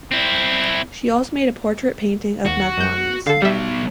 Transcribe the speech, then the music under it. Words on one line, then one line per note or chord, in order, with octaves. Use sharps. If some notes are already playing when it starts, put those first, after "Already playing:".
She also made a portrait painting of MacMonnies.
C4 E4
D#2 F#4
F#2 G6
D3 A4 F5
F#3 G3 B3 E5